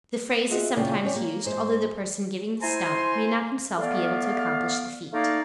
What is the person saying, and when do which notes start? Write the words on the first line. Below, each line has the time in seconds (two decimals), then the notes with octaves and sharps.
The phrase is sometimes used, although the person giving the "stump" may not himself be able to accomplish the feat.
0.50 F4 F#4 G#4 D#5 E5 F#5
0.76 E2 A#2 C#3 F4 D5 G5
1.04 C#4 G4 C#5 D5
1.15 A#3
1.45 G#2 C5
2.62 E4 C5 G#5 A#5 C6
3.77 A3 B3 D5 F5
5.13 A3 A#3 D#4 D5 F5